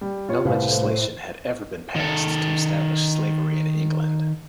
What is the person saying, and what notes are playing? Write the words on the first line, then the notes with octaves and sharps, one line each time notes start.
No legislation had ever been passed to establish slavery in England.
G3
F4 G4 C#5
C2 A2 B4 C5 F5
C5
D#3 A4